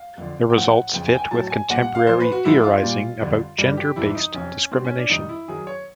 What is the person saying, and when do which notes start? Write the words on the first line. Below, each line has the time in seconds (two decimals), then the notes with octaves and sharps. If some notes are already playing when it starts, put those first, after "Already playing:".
The results fit with contemporary theorizing about gender-based discrimination.
Already playing: F5
0.18 F2 D3 F3
0.50 G5
0.56 A2 F3 F#5
0.93 F2 C#3 F3 G5
1.07 G#5
1.14 G5
1.18 G#5
1.31 A2 F#3 A5
1.50 G#5
1.70 A#2 G3 F#5
1.82 F#5
1.95 F5
2.07 A#2 F3 C5
2.20 B4
2.32 F#4
2.45 G#2 F3 E4
2.64 F4
2.82 A#2 G3
3.20 F2 D3 G3
3.58 G2 E3 G3
3.77 G4
3.96 F2 C3 E3 G3 E4
4.15 D#4
4.34 F2 C3 F3 C#4
4.71 B2 G3 C4
4.85 C#4
4.98 D4
5.09 F2 C3 D#3 G3 D#4
5.29 E4
5.48 F#2 D#3 F#3 G#4
5.67 C#5